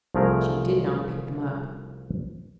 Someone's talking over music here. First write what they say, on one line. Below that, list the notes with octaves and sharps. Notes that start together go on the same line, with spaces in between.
She did not pick them up.
C2 F3 A3 G#4 A#4